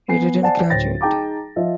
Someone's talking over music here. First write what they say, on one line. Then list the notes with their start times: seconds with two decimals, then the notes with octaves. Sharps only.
He didn't graduate.
0.08 B3 G#5 C7
0.42 C5 D5 F#5 G#5 A5
0.70 D1 C5 C#5 G5 A6 A#6
1.01 D#4 G#4 G5 A5 A#5 D6
1.56 F3 D#5 E5